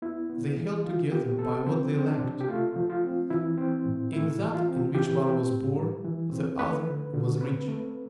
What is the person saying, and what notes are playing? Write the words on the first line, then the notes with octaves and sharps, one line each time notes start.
They held together by what they lacked: in that in which one was poor, the other was rich.
B3 E4
B3
E3
E3 F4
B3 G4
B3 A4
F3 C4
C4
D4
C3
G4
A3 F4
F3
F4
C4
E3 E4
C4
A2
A3 E4
E3
F4
C4
E3 G4
C4
A2
G3
E3
C4
A3 B4
D3
D3
C4 B4
A3